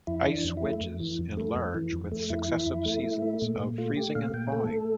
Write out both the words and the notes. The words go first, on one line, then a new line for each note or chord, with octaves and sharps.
Ice wedges enlarge with successive seasons of freezing and thawing.
F2 E4
E3
D4
F2
E4
A3
F2
E3
F2
A3
F2
E3
F2
A3
F2 E4
E3
F2
A3
A3
A3
A#2
A#2
A3 F4
A3 G4
A#2 F5
A#2 G5
A3 A4
A3